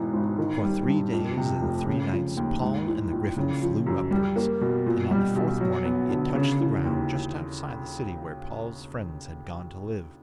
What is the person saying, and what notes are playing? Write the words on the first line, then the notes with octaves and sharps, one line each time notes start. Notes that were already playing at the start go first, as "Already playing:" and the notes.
For three days and three nights Paul and the griffin flew upwards, and on the fourth morning it touched the ground just outside the city where Paul's friends had gone to live.
Already playing: E1 G#2 E3
G#1
D#3
G3
G2
F2
C3
F1
C#3
F3
D#2
G#2
E3
A#1
C#3
F3
F#2
G3
A#3
B2
A#2
G3
B1
F#3
B3
D3
C#3
E3
D#2